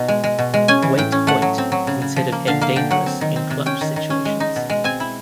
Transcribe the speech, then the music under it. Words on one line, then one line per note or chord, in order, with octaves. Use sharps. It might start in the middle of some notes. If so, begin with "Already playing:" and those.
Waite Hoyt considered him dangerous in clutch situations.
Already playing: B2 D#4
G#3
G#3
B2
G#3
C#4 G#5
E3
A2 G5
C#4
A3 F#5
F#3
C4
F#3
C#3
C#3
F3
A#3
D3 F5
A#3 F5
D3 G5
F#3 F#5
C4
D#3
C4
C3
C#4 G5
D#3
D#3
C#4
G#3
D#4
B2
G#3
C4 G#5
E4